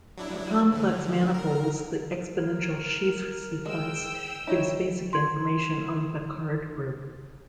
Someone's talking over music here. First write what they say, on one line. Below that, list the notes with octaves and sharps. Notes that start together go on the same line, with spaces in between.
For complex manifolds the exponential sheaf sequence gives basic information on the Picard group.
F#3 D4 E4
D3 E3
A#4
A#4
G#3 G5 E6
D#4 E4 C#5
C6 G#6